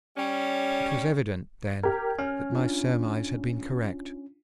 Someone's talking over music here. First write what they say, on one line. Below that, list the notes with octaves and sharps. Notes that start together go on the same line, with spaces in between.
It was evident then that my surmise had been correct.
G3 C#4
G4 A#4 G#6
C#4 F6
D4 F4